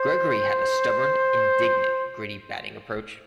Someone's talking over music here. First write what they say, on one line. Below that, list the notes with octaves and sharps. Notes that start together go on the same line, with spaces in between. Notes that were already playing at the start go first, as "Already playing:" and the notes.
Gregory had a stubborn, "indignant", gritty batting approach.
Already playing: C5